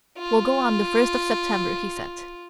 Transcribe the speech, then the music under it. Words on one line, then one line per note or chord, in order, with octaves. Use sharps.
"We'll go on the first of September," he said.
F4